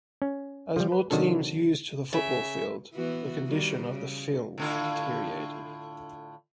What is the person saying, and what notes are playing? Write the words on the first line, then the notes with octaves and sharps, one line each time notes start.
As more teams used the football field, the condition of the field deteriorated.
C#4
F3 G3
B4
C3 D#3 F#3 D4 A4
C#3 E5
E3 B3 F#4
D#3 G3 F#4
C#3
A2 D3 F4